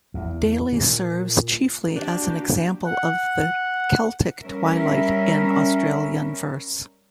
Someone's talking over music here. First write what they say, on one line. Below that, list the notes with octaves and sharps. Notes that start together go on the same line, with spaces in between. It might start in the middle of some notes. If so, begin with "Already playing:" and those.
Daley serves chiefly as an example of the Celtic Twilight in Australian verse.
E2
A#2
A#3 D4 F#4 G4
F#5
G3 C#4 A#4 E5